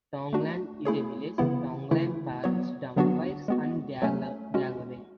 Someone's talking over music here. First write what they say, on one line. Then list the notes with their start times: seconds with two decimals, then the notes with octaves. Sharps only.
Tongland is a village in Tongland Parish, Dumfries and Galloway.
0.33 A3 D4 F#4
0.85 A3 E4 G#4 C#5
1.38 C#3 E3 B3 E4
1.91 C#3 E3 A3 E4
2.44 F#3 B3 F#4 C#5
2.96 D3 F#3 B3 D4 F#4
3.48 G#3 B3 F#4
4.02 F#3 A3 C#4
4.54 G#3 C#4 F#4